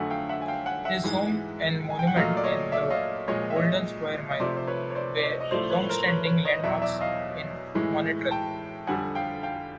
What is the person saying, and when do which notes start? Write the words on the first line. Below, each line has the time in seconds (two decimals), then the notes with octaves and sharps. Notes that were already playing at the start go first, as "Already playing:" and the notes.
His home and monument in the Golden Square Mile were longstanding landmarks in Montreal.
Already playing: F2 D3 F#3 A3 F#5 G#5
0.10 F5 G5
0.29 E5 F#5
0.42 G#5
0.48 F5 G5
0.66 F#5 G#5
0.85 E5 F#5
1.03 G#2 E3 G#3
1.90 G#5
1.99 G5
2.07 F#5
2.16 A#2 F#3 A3 D#5 F5
2.37 D5
2.44 C#5 D#5
2.72 D5 E5
2.90 D#5 F5
3.28 A#2 F3 G#3 C#5 D#5
3.50 E5
3.56 C#5 D#5
4.31 D#5
4.40 C3 F3 A3 C5 D5
4.57 C5
4.67 B4 C#5
4.90 C#5
4.95 C5 D5
5.17 D5
5.23 C#5 D#5
5.41 D#5
5.51 A2 F3 A3 C5 D5
5.70 B4 C#5
5.89 A#4 C5
6.07 B4 C#5
6.26 B4 C#5
6.45 C#5 D#5
6.63 E2 B2 F#3 D5 E5
6.82 D5 E5
7.01 D#5 F5
7.75 A2 E3 G#3
8.31 G5 A5
8.87 F2 D3 G3 F#5 G#5
9.15 F5 G5
9.43 F5 G5